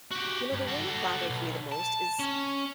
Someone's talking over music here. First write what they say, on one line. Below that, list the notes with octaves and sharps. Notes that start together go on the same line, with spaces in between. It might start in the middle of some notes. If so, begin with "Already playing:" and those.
You know, the one that bothers me the most is
F#4 G4
G2
F#4 A4
B1
A5
C#4